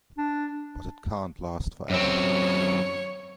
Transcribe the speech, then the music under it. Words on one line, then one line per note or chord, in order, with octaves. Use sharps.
But it can't last for ever.
D4
F#2 C4 C#5